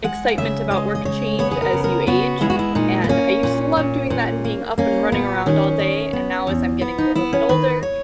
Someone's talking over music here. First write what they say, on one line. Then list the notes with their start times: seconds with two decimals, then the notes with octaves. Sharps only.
excitement about work change as you age? And I used to love doing that and being up and running around all day, and now as I'm getting a little bit older,
0.04 G#3 F#5
0.38 C#3 E5
0.71 G#3 D#5
0.95 D#5
1.05 C#3 C#5
1.39 B3 C#5
1.51 G#4
1.62 A#4
1.73 C#3
1.84 A#4
2.07 B3 F#4
2.41 G#3 E4
2.50 F#4
2.59 E4
2.75 A#2 D#4
3.04 B3
3.09 A#3 C#4
3.43 A#2
3.76 A#2
4.10 A#2
4.44 A#3
4.78 A#3 C#4
5.12 A#2 B3
5.46 D#3 C#4
5.79 D#3
6.13 B3
6.47 E2
6.81 B3
6.98 D#4
7.15 B3 E4
7.33 C#4
7.49 D#3 B4
7.83 C#5